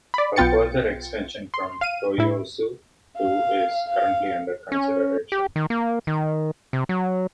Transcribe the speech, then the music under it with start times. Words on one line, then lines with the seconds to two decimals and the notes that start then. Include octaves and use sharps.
A further extension from Toyosu to is currently under consideration.
0.14 D5 B5
0.36 B1 B3 F4 G5 A6 C#7
1.54 C6
1.81 F5 D#7
2.18 A2 E4
3.17 F5
3.88 F5
4.72 C#4
5.32 G4
5.56 D#3
5.70 A#3
6.07 D#3
6.73 C3
6.89 F#3